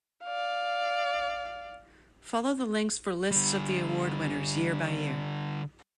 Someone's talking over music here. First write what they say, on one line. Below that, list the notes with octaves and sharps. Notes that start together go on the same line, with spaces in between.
Follow the links for lists of the award winners, year by year.
D5 F5
D3 G3